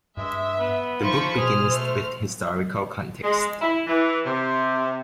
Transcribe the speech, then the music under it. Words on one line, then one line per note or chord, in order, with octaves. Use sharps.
The book begins with historical context.
G2 G#3 E5
B3
F3 D#4 C5 B5 C#6
B2 G#4 C5 F6
A3
G#3
E4
E3
C3